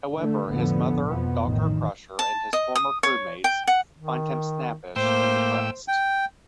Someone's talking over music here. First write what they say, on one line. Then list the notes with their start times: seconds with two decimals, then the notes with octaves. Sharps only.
However, his mother Doctor Crusher and his former crewmates find him snappish and depressed.
0.17 D3 A3
0.51 F1 A2 D3 F3 B3
1.07 F2 B2 F3 B3
1.44 A1 A2 D#3
2.19 A5
2.53 D#5
2.76 D#6
3.03 C#5
3.44 G5
3.68 F#5
3.98 D#3
4.96 A2 A#3 C5 G5 E6
5.88 G5